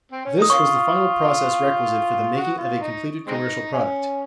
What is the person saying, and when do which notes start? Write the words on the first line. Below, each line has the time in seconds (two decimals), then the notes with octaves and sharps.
This was the final process requisite for the making of a completed commercial product.
0.12 C4
0.25 C#4
0.38 D#4 D#6
0.50 A#3 C#4 F4 C#6
2.34 F#4
2.58 F4
2.80 D#4
3.27 G#3 C4 D#4
3.74 C#4